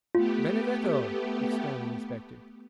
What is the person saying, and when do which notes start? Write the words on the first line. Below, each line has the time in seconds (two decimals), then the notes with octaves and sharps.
"Benedetto!" exclaimed an inspector.
0.15 A3 B3 F4 G4